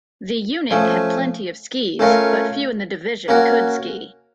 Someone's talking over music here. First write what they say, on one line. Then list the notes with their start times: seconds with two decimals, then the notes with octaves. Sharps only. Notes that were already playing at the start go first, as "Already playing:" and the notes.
The unit had plenty of skis but few in the division could ski.
0.71 F3 A3 C#4
1.99 A3 C#4 F4 A#4 C#5
3.28 A#3 C#4 F#4 A#4